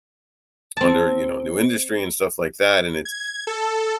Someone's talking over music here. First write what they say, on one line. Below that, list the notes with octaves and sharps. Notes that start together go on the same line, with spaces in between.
under, you know, new industry and stuff like that, and it's,
C4 A5
G#6
A4